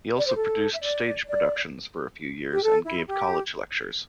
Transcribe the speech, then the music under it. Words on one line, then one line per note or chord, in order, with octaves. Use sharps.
He also produced stage productions for a few years and gave college lectures.
D5
C5
A4
E5
D5
D5
G4
A4
E4
G4